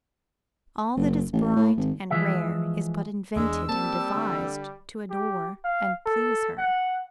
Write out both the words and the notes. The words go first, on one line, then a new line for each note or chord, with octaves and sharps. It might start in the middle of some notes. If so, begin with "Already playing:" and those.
All that is bright and rare is but invented and devised to adorn and please her.
F#1
A1
A2
G#1
E3 F3 G#3 E5
E2 G#3 D4 E6
G3 A#3 C4 A5
D3
G4
F5
A4
F#5